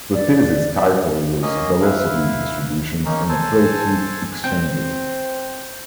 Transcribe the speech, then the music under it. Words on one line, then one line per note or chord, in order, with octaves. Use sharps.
The thesis title was "Velocity distributions in a plate heat exchanger".
D5
A#3 C#4 D#5
E4 B4 F5
A#3 C#4 D#4
A4 C5 G#5 A5
C4 G6